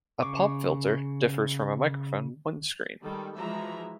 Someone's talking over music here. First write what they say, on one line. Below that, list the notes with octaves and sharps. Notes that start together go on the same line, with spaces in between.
A pop filter differs from a microphone windscreen.
C#3 C#6 D6
D#3 G3 G#3 A4
E3 F3 G#3 F#4 E5 A#5